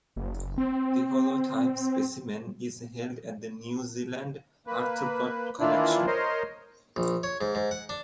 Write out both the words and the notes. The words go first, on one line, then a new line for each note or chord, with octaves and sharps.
The holotype specimen is held at the New Zealand Arthropod Collection.
F#1
C4
A#3 B4
D#3 E3 A#3 D4 E4 F4
A#4 C5 C#5 D#5 C6
A#1
C#5
G#2
G#2
F#5
D4